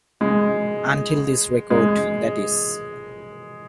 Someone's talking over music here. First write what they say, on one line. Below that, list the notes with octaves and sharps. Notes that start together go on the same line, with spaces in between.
Until this record, that is.
G#3
G#3